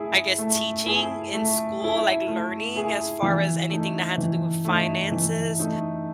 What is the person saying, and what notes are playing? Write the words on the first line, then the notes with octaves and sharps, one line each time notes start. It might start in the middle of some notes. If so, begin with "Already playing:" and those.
I guess, teaching in school, like, learning as far as anything that had to do with finances,
Already playing: A3 E4 G#4
A3
E4 G#4
A3
E4 G#4
A3
E4 G#4
E3
A3 D#4
E3
A3 D#4
E3
A3 D#4